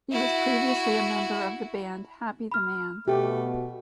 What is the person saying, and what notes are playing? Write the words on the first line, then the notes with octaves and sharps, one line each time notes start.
He was previously a member of the band Happy the Man.
E4 F#4
B5 F6
B2 A3 F#4 G4